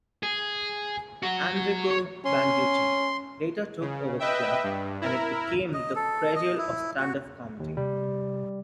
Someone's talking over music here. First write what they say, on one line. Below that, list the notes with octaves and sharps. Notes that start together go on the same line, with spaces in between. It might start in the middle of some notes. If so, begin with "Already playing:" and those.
Enrico Banducci later took over club and it became the cradle of stand-up comedy.
G#4
F#3 F#4
C#5
C#4 C6
C#3
B4 D#5 E5 G5
G2
E4 A#4
D#5
A4
D#5
E4
F#4
D#2
C3 G3